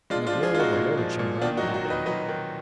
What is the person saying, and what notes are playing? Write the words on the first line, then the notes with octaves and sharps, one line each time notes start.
And the glory of the Lord shone round about them!
G#3 D4 F4
D4 F4
F3
F4 G#4
G#3 F4
D#4 F#4
A#2
F3
A#2
D#3 D4 F4
D#4 F#4
F#3
D#4 F#4
D#3
B4 D#5
F#3 B4 D#5
D#3